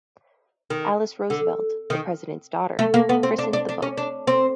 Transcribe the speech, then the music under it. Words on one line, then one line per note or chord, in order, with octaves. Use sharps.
Alice Roosevelt, the president's daughter, christened the boat.
D#3
D3
D#3
A3
A#3
B3
C4
D4
D4
D4
C#4
D4
C4